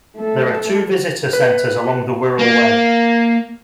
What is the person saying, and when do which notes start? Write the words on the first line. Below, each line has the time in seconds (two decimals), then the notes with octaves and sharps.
There are two visitor centres along the Wirral Way.
0.17 A3 A4
1.33 B4
2.39 A#3